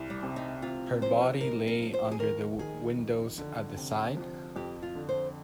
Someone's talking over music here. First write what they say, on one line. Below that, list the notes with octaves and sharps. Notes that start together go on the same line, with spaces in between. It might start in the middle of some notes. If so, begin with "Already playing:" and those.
Her body lay under the windows at the side?
Already playing: C2
G3
C3
D#4
C3 F4
F3 C5
G#2 A#4
A#4
F3
C5
G4
G#4
D#2 A#4
D#3 G#4
F2
D3
C3
F3
F2 G4
F4
D3
C5